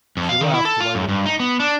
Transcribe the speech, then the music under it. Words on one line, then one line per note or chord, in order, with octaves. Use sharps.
She laughed delightedly.
F2
F5
D#3
E4
A4
F4
F#2
G2
D#4
B3
D4